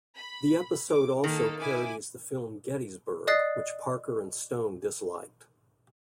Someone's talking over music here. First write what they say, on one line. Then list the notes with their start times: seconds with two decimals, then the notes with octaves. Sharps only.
The episode also parodies the film "Gettysburg" which Parker and Stone disliked.
0.16 B5
0.90 D6
1.24 D#3 A#3 A4
1.59 E4 G#5 D6
3.27 D5 D#5 D#6 F#6 A6 C7